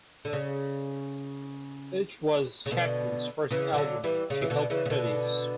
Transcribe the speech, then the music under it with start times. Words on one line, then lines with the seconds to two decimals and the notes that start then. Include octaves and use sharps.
It was Chapman's first album she helped produce.
0.25 D3
0.33 C#3
2.66 C#3
2.71 B2 D3
3.51 C#3 E3
3.73 E3
3.77 D3 F#3
4.04 E3 G3
4.30 C#3
4.42 E3
4.50 B2 D3
4.70 C#3 E3
4.86 C#3
4.90 B2 D3